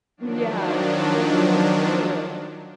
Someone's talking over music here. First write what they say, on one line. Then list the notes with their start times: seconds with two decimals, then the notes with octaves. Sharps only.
Yeah, that's so true.
0.17 D#3 F3 F#3 D4